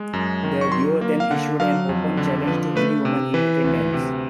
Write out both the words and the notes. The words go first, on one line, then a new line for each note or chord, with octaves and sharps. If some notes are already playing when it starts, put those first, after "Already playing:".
The duo then issued an open challenge to any women in attendance.
Already playing: G#3
F#2
D#3
C#6
F#3 C6
A#3
F5
D3 F#5
F#3 F5
F2
D3
F3 B4
A3 B4
C3
E3 B4
D2
C3